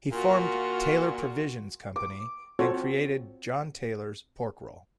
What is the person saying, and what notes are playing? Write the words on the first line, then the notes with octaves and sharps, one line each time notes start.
He formed Taylor Provisions Company and created John Taylor's Pork Roll.
A#2 F4 F#4
D6
C4 F4 F#4 A4 C5 C#5